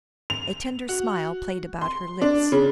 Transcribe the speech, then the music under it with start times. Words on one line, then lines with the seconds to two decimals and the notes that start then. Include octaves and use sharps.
A tender smile played about her lips.
0.30 F7
0.89 F#4
1.81 C6
2.22 D4
2.52 C#3